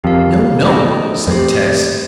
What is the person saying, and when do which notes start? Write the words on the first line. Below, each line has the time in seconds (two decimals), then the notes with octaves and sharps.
"No, no!" said Tess.
0.04 F2 G4 A#4 F5
0.66 A3 D#4 A4 D#5 G5
1.27 F2 A3 C4 G4 C5